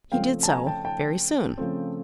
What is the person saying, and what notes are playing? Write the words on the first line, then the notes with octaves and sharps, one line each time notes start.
He did so, very soon.
C#3 F3 A3 C4 F5 G5
A5
G#5 A#5
G5 A5
G5 A5
C#3 F3 A3 C4